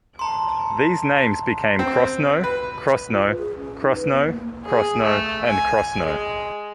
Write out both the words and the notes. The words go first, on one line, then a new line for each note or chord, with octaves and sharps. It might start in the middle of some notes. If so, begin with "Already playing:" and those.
These names became Crossnoe, Crosnoe, Crossno, Crosno, and Crosskno.
A5 A#5 C6
C4
B4
F4
B4
G#4
C#4
D#4
B4
B3
A#3
G#4
A3
G#5
G#3